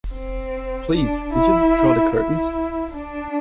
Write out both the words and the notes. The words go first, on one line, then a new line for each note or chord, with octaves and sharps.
Please could you draw the curtains?
C4
D4
E4
E4
D4